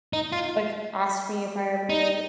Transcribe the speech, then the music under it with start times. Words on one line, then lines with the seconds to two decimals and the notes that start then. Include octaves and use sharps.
like, asked me if I ever
0.13 D#4
0.33 F4
1.89 D#4